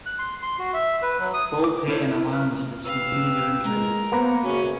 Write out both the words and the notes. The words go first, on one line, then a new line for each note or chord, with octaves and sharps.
Full pay and allowances continue during training.
F#6
C6
C6
F#4
E5
B4
F#3
D#6
D6
D4 E4 F4 C5 C#5
E4 A#4
B4 F6
G4 B4 F5 E6
G#3 A#4
A#3 B3 B4 C5 F#5 A#5
F#2 C#3 C#4 F#4